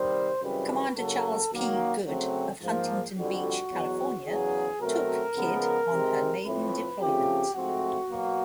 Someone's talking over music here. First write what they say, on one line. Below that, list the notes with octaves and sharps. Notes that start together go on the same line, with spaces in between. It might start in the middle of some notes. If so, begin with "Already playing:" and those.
Commander Charles P. Good of Huntington Beach, California, took "Kidd" on her maiden deployment.
Already playing: C3 D#3 G3 C5
F#2 C#3 E3 G3 C4 B4
C#3 F#3 A#3 A4
F#2 D#3 F#3 A#3
C#3 F#3 A3 C4
G#2 F3 A#3
F2 D3 G3 F#4
E2 B2 F#3
E2 C#3 F#3 G#4
B2 F#3 A3 C4 A#4
C#3 F3 G#3 B3
C3 D#3 G#3 C4
A2 F3 A3 C4 B4
C#3 F3 A3 C4 G4
G#2 F3 A3 C4 F#4
B2 F#3 A#3